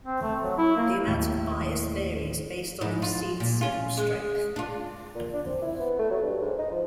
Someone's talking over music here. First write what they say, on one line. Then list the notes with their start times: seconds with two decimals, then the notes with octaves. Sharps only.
The amount of bias varies based on the received signal strength.
0.05 C4
0.22 A3
0.42 F#3
0.58 E4
0.76 A#3
1.07 D#2 A2
2.81 G#2 D#4 E4
3.02 F4
3.40 A#2
3.61 C#4 F4
3.97 G#3
4.56 D4 F4
5.15 A#2
5.33 D4
5.45 C4
5.62 E4
5.79 B3
5.99 A3
6.11 F#3
6.22 G2
6.41 G#2
6.58 D#4
6.71 F3